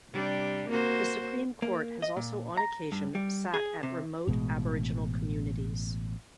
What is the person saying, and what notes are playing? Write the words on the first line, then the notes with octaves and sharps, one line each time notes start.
The Supreme Court has also on occasion sat at remote aboriginal communities.
C3 G3 D4
A#3 F#4 C5
A#3
D#5
A#2
A#5
G2
G3
G#4
C3
A1 B2 D3 G#3